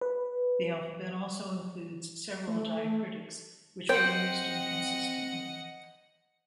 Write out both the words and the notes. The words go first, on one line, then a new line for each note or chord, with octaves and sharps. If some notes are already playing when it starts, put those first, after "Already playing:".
The alphabet also includes several diacritics, which were used inconsistently.
B4
A3
C4 C5 D#5 F#5 G5